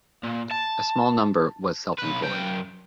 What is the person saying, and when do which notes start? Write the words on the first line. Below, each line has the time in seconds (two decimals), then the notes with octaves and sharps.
A small number was self-employed.
0.24 A#2
0.51 A5
1.99 B1 B4
2.22 F#2 G5